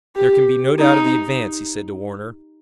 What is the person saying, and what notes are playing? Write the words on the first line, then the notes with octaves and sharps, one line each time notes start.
"There can be no doubt of the advance!" he said to Warner.
G4
D#4